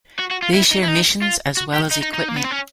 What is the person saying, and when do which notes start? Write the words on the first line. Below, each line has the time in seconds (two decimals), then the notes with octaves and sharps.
They share missions as well as equipment.
0.19 F#4
0.31 F#4
0.42 F4
0.54 E4
0.71 D#4
0.83 E4
0.88 D#4
1.22 F4
1.57 F#4
1.74 G4
1.91 D#4
2.03 D#4
2.14 D#4
2.29 A#3
2.36 B3
2.44 C4
2.51 C#4